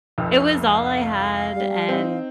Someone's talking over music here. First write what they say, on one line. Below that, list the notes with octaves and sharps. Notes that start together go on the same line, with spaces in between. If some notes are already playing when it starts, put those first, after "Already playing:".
It was all I had, and
F1 C2 F2
F5
G3
C4 D#4